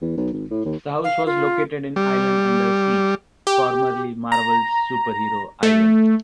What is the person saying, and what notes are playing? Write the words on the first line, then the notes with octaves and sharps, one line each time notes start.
The house was located in "Island under Siege", formerly Marvel's superhero island.
E2
B1
G#1
A2
D#2
F5
F4
G3
G4
A#5
A3